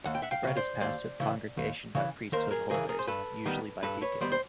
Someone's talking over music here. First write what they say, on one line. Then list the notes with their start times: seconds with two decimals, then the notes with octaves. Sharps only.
The bread is passed to the congregation by priesthood holders, usually by deacons.
0.06 D#2 F#5
0.15 G5
0.22 E5 F#5
0.31 F5 G5
0.44 E3
0.47 C#3
0.57 C5 D5
0.81 D#2 C5 D5
1.20 C#3 E3
1.57 D#2
1.95 C#3 E3
2.32 D#2 A#4 C5
2.51 G#4 A#4
2.70 C#3 E3 G#4 A#4
2.89 G#4 A#4
2.99 C5
3.07 G2 A4 B4
3.45 D#3 G3 B3
3.83 G2 A4 B4
4.02 B4 C#5
4.21 D#3 G3 B3 C5 D5
4.32 C5